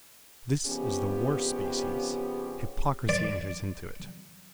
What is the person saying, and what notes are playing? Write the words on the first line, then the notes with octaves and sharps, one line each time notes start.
This is the worst species; hypocrisy enters into it.
F2 C#3 B3 C#4 G4
D5